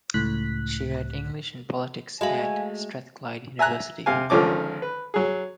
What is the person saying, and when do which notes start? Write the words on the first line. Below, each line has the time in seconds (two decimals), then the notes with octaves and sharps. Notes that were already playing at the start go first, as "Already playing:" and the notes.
She read English and Politics at Strathclyde University.
0.14 C#2 A2 F#6 B6
2.21 G#3 A3 F#4 D#5 F5 G#5 B5
3.59 E5 G#5 A#5 F#6
4.06 C3 F5 G#5
4.30 G#1 D3 D#3 F3 C#4 D6
4.82 B4
5.14 F#3 G#4